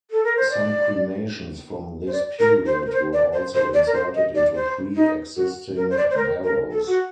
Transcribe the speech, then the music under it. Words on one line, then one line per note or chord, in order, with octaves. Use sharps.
Some cremations from this period were also inserted into pre-existing barrows.
A4
A#4
C5
D5
C5
D5
A#4
C5
A#4
C5
D5
C5
C5
D5
A#4
C5
D#5
D5
C5
D#4
F#4
A#4
C5
D5
C5
A#4
A#4
A4
F#4